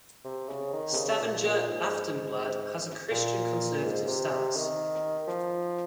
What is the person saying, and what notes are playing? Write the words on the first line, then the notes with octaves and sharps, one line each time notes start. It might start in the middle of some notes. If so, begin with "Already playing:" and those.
"Stavanger Aftenblad" has a Christian-conservative stance.
C3
C#3
D#3
C3
C#3
A#2
A#2
G#2
A#2
G#2
C3
C3
D#3
F3